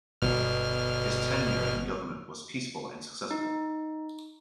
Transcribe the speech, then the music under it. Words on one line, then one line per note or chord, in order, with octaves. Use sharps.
His tenure in government was peaceful and successful.
G1 B2 F6
D#4